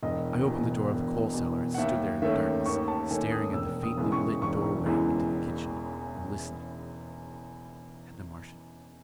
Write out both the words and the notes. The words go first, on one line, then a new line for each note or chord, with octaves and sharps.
I opened the door of the coal cellar, and stood there in the darkness staring at the faintly lit doorway into the kitchen, and listening. Had the Martian seen me?
E1 D#5
E2 B2
E1
E2 B2
F#5
D#2 E5
D#3 A3 C#4 E5
D#2 C#6
A5
D#3 A3 C#4 G#5
D#6
E1 E6
D#6
E2 C#3 E3 G#3
C#6
E1 C#6
E2 C#3 E3 G#3